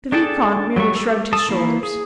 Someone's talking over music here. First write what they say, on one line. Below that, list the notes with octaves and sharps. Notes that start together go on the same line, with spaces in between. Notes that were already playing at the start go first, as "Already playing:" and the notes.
The vicomte merely shrugged his shoulders.
D4 G#4 A4 G5 A5
F#3 G3 A3 C#6
G4 A4
A4 A5 D#6
E3 A#3 E4
G#4